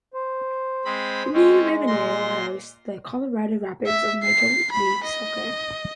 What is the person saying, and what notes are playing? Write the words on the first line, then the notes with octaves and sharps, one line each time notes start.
The new venue hosts the Colorado Rapids of Major League Soccer.
C5
G#3 C4 B5
G#3 C4 C#4
A#2 C6 A#6
E5
C7
B5
D#5